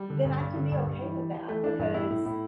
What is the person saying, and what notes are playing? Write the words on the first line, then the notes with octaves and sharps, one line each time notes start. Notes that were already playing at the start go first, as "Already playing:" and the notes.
then I can be okay with that because,
Already playing: G3
D3
G2
G2
D3
G2
G2
E3
E3
E3
E3 A3
E3 D4
G2 D4
A2 E4
A2
A2